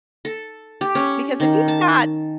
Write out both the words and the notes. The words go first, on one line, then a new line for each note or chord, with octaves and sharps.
because if you've got
A4
G4
C#4
D#3
A5